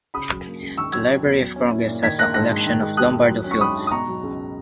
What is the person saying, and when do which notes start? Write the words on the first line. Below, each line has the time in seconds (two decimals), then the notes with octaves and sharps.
The Library of Congress has a collection of Lombardo films.
0.14 C#3 B5 D#6
0.30 F#3
0.46 A#3
0.62 C#2
0.77 D#3 C#6 E6
0.92 F#3 E6 G#6
1.09 C#4
1.25 E2
1.40 F#3
1.56 C#4
1.71 E4
1.87 A#2
2.03 D#3 G#6 B6
2.18 A#3 F#6 A#6
2.34 G#2 F#6 A#6
2.50 G#2
2.67 D#3
2.82 G#3
2.97 D#2 D#6 F#6
3.13 D#2
3.30 F#3
3.44 C#4
3.51 C#6
3.61 G#2 B5 D#6
3.77 G#2
3.87 D#6
3.91 B2 A#5 C#6
4.08 F#3
4.23 C#2